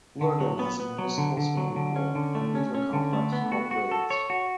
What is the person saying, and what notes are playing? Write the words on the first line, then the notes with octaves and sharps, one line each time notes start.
Lurgan has a municipal swimming pool and leisure complex called Waves.
D3
F#3
B3
B3
F#3
D3
D3
F#3
D3
C#4
D3
A3
C#4
C#4
D3
A3
B3
F#4
F#4
A4
C#5
F#4